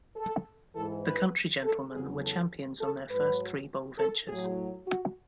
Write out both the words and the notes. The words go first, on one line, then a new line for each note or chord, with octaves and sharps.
The Country Gentlemen were champions on their first three bowl ventures.
A4
G#2 E3 A4
B4
A4
E2 C#3 F#3 G#4
A4
A4
G#2 F#3 B4
A4
A2 F#3 G#4
F#4